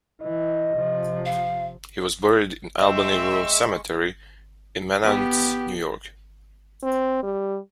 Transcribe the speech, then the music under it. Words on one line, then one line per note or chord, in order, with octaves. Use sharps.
He was buried in Albany Rural Cemetery in Menands, New York.
E3 D#5
C3 F3
F5
G#3 C4 D#5 E5 C#6 E6
B3 G4
C4
G3